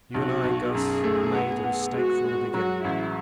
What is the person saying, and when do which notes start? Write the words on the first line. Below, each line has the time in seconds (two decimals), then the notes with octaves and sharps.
You and I, Guss, have made a mistake from the beginning.
0.14 B1 F#4
0.44 B1
0.74 F#2 G#4
1.04 A3
1.35 B3
1.64 B3
1.94 G#3 F#4
2.24 G#3
2.54 F#3 F#4
2.84 A1 E4